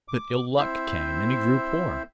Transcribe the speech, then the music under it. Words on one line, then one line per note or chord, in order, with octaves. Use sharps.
But ill luck came, and he grew poor.
D6
C4 E4 C5 E5